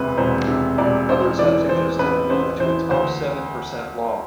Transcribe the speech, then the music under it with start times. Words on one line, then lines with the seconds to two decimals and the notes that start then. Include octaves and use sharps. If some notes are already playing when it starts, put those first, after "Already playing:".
Others have suggested a move to a top seven percent law.
Already playing: E1 D2 C3 B4
0.18 E1 C5
0.48 C3
0.78 E1 D5
1.08 A1 C5
1.39 E3 D5
1.69 E3 C5
1.99 A1 B4
2.30 A1 C5
2.60 E3 C5
2.91 D2 C5